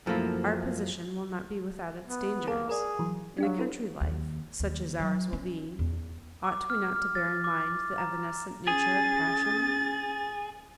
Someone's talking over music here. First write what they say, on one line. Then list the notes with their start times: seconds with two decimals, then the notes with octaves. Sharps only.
Our position will not be without its dangers; in a country life, such as ours will be, ought we not to bear in mind the evanescent nature of passion?
0.06 F#2 F3 A3 A#3 E4
2.07 B3
2.47 A#3 G#4 A#4 A5
2.69 G#4 A#4 D5
2.99 E3 F#3
3.38 F#3 D4 G4 F5
3.58 E4 A4 B4
4.01 D#2
4.60 D#2
5.00 F#3
5.33 C#4
5.79 E2
6.44 D6
6.70 F6
6.96 F6
7.15 A6
7.44 D6
7.98 A#5
8.67 C#4 G#4 A6